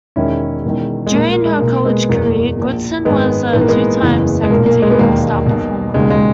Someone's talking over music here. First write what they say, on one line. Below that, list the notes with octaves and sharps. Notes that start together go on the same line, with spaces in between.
During her college career, Goodson was a two-time second team All-Star performer.
E1 E2 D#3 C#4 E4
E1 E2 D#3
G#3
A#1 A#2 A#3
A#3
G#3
B1 B2 A#3
G#3 B3
F#1 E2 B2 A#3
A#2
A#1
G#1 F#2 D#3 G#3 B3
A#1 G#2 E3 B3
A#3
G#3 B3
F#1 E2 C#3 E3
G#3
B1 A#2 A#3
A#3
G#3
B3
E1 D#2 D#3 A#3
B1 B2
E1 D#2 C#3 G#3
G#3